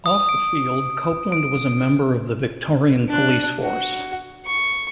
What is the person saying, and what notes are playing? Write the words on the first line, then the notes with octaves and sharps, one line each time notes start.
Off the field Copeland was a member of the Victorian police force.
D#6
D7
D7
D4 F#6
F#4
C#6